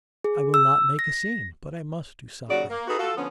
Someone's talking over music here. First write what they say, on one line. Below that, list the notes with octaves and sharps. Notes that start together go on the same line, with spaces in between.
'I will not make a scene, but I must do something....
G#4
E6
A#6
D#2 C#3 F#3 F#4 D5
A#3
D#4 F#4 G#4 A4 B4
F4 F#4 A4
D3 F3 B3 C#4